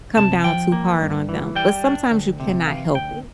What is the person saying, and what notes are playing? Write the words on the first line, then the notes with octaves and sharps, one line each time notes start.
come down too hard on them, but sometimes you cannot help it.
C3 A5
F3 G5
A#3
G2
E3
G3 G5
D4
D2
C3
E3 F5
D2 G5